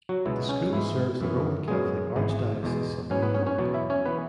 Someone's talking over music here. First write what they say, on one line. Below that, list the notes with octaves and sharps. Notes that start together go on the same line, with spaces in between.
The school serves the Roman Catholic Archdiocese of New York.
F#3 F#4
C#2 B2 G#3 B3 E4
C#4
G#2 E3 G#3 B3 E4
F#2 E3 B3
F#2 F#3 G#3 B3 G#4
G#1 G#2 E3 G#3 B3
E2 B2 G#3
G#2 F#3 B3 C#4 C#5
B3 B4
C#4 C#5
C#4 C#5
E2 B2 F#3 B3
E4 E5
C#4 C#5
E3 B3 B4